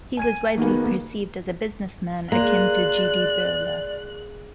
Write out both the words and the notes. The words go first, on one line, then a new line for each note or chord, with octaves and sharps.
He was widely perceived as a businessman akin to G. D. Birla.
G#5 G#6 D#7
D#3 A#3 B3 F#4 G#4
G#3 A#3 D5 F#6